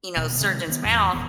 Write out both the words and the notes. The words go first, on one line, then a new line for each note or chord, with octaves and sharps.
you know, surgeon's mouth
D#1 B2
C3 D#3 F#3 G#3
D#3 A#3 B3
E2 A2 E3
D#1 E2 B3